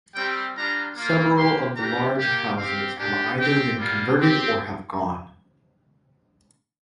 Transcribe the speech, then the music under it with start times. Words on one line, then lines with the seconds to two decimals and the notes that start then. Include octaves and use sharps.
Several of the large houses have either been converted or have gone.
0.14 G3 C4 G4 G5
0.55 G3 D4 F4 A#5
0.95 A#3 F4
1.36 A#3 G4 C6
1.76 G3 D4 G4 A#5
2.17 A#3 G4
2.57 C4 G4 F5
2.98 A#3 D4 G4
3.38 C4 G4 G5
3.79 G3 A#3 F4
4.20 C4 G4